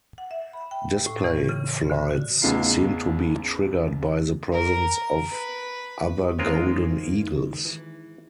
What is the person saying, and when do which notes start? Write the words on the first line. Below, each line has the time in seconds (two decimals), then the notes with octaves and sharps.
Display flights seem to be triggered by the presence of other golden eagles.
0.18 F#5
0.31 E5
0.53 B5
0.71 G5
1.06 A2
1.24 E3
1.49 C#3
1.90 D3
2.11 F#4
2.42 A1 E2 C#3 D#4 F4 C7
4.52 A#4
5.32 B4
6.38 D#3 G#3 A#3 C4 C#4 F4 A#4
7.65 E3